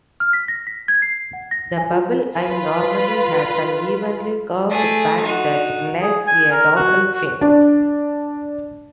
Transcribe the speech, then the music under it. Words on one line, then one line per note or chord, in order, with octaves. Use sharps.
The Bubble Eye normally has an evenly curved back that lacks a dorsal fin.
F6
B6
A#6
B6
G#6
C7
F#5
A#6
G#5
F4
F4 B4
A3 G#4
D#4 F#4
G#4
G#5
A#4
F#4
F#4
D4